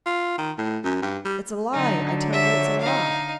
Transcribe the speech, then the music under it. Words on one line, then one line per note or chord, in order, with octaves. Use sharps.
"It's a lie--I tell you it's a lie!"
F4
D#3
A2
F#2
G2
G3
D3 F#3 D#4
F3 F#3 C#5 E5
D#4 F5